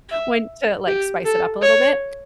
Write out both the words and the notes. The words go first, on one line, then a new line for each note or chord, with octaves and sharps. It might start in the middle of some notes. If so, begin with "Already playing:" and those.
when to, like, spice it up a little bit.
E5
G4
A4
C#5